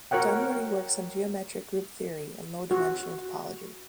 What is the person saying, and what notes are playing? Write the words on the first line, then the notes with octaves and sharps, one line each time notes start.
Dunwoody works on geometric group theory and low-dimensional topology.
F#4 A#4 C#5 F#5 G5
F#4